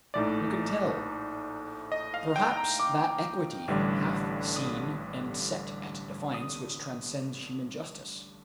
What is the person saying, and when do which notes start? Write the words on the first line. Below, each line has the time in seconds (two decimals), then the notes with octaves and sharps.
Who can tell? Perhaps that equity, half seen and set at defiance, which transcends human justice.
0.14 A#1 A2 A3 D#4 D5
1.92 D#5
2.14 F5
2.36 G5
2.57 A#5
2.80 D6
3.68 A1 G2 D3 G3 D4
4.56 D#6
6.34 D#6